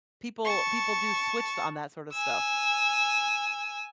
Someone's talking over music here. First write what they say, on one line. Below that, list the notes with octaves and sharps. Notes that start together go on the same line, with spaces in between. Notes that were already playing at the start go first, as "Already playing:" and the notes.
people people do switch on that sorta stuff.
A5 C#6
G#5 E6